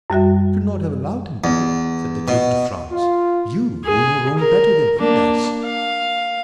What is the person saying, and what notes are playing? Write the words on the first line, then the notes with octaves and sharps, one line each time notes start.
"You should not have allowed him to go," said the duke to Franz; "you, who know Rome better than he does."
F#2 G3 F#4 E5
E2
B2
F4
G#4
A#4
A#3 D4
F5